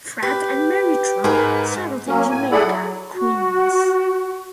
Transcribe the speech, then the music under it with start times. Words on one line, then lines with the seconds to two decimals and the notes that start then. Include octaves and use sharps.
Fred and Mary Trump settled in Jamaica, Queens.
0.23 G4 B4
1.24 G#2 G#4 A#4 B4
2.07 F#3 A#3 C#4
2.30 A2 G#5
2.52 E4 G#4 A4 D5 F#5 B5
2.64 F#3
3.12 F#4